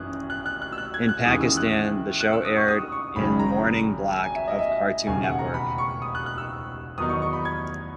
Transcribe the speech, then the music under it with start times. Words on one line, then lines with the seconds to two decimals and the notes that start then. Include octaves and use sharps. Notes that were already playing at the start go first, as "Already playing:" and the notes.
In Pakistan, the show aired in morning block of Cartoon Network.
Already playing: G#1 F#2 E3 C#4 D#6 F#6
0.30 F#6
0.46 F#6
0.62 F#6
0.72 E6
0.78 F#6
0.94 G#6
1.09 F#6
1.25 D#2 C#3 E3 G#3 C#4 D#6
1.41 E6
1.57 F#6
2.21 F#6
2.33 E6
2.45 D#6
2.56 C#6
2.68 D#6
2.92 C#6
3.16 G#1 F#2 C#3 G#3 B5
3.39 A#5
4.12 G#5
4.23 G#5
4.35 E5
4.48 D#5
4.59 E5
5.07 E1 D#2 C#3 G#5
5.23 F#5
5.39 A#5
5.54 B5
5.78 C#6
6.02 D#6
6.15 F#6
6.26 F#6
6.38 E6
6.98 E2 D#3 F#3 B3 D#4 D#6
7.09 C#6
7.22 C#6
7.33 B5
7.45 G#6